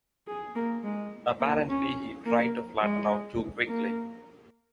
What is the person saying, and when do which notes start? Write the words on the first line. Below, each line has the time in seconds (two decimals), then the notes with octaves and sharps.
Apparently he tried to flatten out too quickly.
0.27 G#4
0.56 A#3
0.84 G#3
1.40 A#3
1.69 C#4
2.26 A#3
2.81 G#3
3.67 A#3